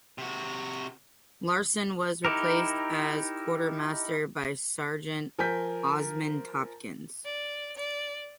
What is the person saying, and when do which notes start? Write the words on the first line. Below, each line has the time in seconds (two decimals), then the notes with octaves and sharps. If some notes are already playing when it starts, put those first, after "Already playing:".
Larsen was replaced as quartermaster by Sergeant Osmond Tompkins.
0.18 C3 F#4
2.25 D#4 E4 G4 A#4
5.39 F3 A#4 G#5 G6 B6
7.25 D5
7.77 D5